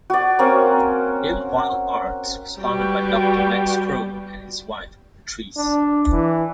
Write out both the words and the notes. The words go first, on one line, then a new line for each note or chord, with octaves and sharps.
Idyllwild Arts was founded by Doctor Max Krone and his wife, Beatrice.
F#4 D5
A#3 C4 C#4
G3 F#4 B4 G5
D4
E3